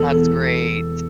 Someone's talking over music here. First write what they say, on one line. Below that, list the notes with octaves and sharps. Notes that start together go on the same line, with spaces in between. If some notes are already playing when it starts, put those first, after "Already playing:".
That's great.
Already playing: E1 A4
E2